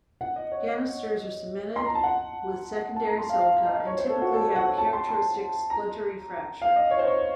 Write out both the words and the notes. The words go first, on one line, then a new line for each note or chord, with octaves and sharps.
Ganisters are cemented with secondary silica and typically have a characteristic splintery fracture.
F#5
D#5
C#5
D#5
C6
A#5
A5
F#5
A5
A#5
C6
F5
F5
D#5
C#5
C5
A4
F#4
A4
F#5
A5
C6
C6
A#5
F5
D#5
C#5
C5
C#5